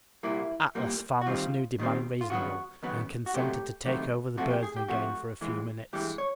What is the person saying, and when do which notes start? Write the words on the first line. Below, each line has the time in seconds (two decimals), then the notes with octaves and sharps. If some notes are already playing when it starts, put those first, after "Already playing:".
Atlas found this new demand reasonable, and consented to take over the burden again for a few minutes.
0.23 C2 A#2 G3 A#3 E4
0.75 C2 A#2 G3 A#3
1.21 F#4
1.26 D#2 D#3 G3 C4 F4
1.78 D#2 D#3 G3 C4
2.21 F4
2.30 D#2 C#3 F#3 B3 F#4
2.83 D#2 C#3 F#3 B3
3.26 F#4
3.34 C#2 C3 D#3 F#3 A3 G4
3.85 C#2 C3 D#3 F#3 A3
4.37 C3 F3 A3 F#4
4.50 G4
4.63 G#4
4.76 G4
4.88 C3 F3 A3 F#4
5.41 G2 E3 G#3
5.93 G2 E3 G#3 G4
6.18 C#5